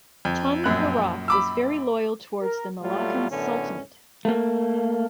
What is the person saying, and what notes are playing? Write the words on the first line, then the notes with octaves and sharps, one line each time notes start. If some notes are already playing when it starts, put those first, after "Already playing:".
Tun Perak was very loyal towards the Malaccan Sultanate.
F2
A#1 F#2 F#6
B5 D6 E6
A#4
A2 F#3 G3 A3 F4
F#2 A2 D3 B3 C#4
A3 A#3